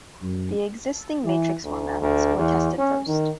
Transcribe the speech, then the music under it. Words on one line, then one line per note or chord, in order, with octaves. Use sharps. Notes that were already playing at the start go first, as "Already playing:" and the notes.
The existing matrix formats were tested first.
F#2
E3
D2
D2
E2
C#4
D#3